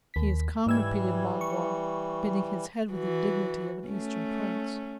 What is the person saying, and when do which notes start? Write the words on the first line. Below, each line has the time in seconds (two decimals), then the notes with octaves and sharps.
"He is come," repeated Magua, bending his head with the dignity of an eastern prince.
0.14 D#2 B6
0.66 G#2 E3 G3 E6 G#6
1.41 C#6
2.93 E3 F#4
3.89 A3 C#4